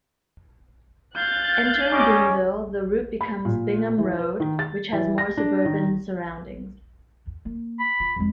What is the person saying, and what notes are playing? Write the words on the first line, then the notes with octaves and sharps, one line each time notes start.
Entering Boonville, the route becomes Bingham Road, which has more suburban surroundings.
F5 F#6 G6 A6
G3 C#4 D#5 D6
B5
A#2
E3
B4
D#3
A6
E3
A#6
D4
D#3
A#3
B5
F4
F2 G#3